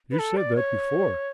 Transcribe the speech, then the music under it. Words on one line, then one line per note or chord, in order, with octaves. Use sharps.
"You said that before."
B4
A4
D5
C#5